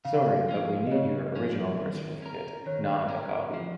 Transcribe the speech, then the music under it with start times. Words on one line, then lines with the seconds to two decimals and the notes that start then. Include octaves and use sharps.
Sorry, but we need your original birth certificate, not a copy.
0.05 C#3 F5
0.48 F3 C#4
0.87 D#5
0.91 C#3 C#5
1.35 F3 C#4
1.80 D#3
2.22 C#4 A#4
2.66 D#3 C#5
3.10 C#4 A#4
3.54 F3